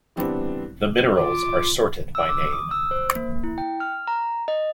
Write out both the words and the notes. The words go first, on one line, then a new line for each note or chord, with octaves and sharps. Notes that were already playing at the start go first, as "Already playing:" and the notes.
The minerals are sorted by name.
E3 G3 B3 C4 D4 E4
F4 D6
E6
D6
D#6
E6
C5
A#3
E4
G5
F6
A#5
D#5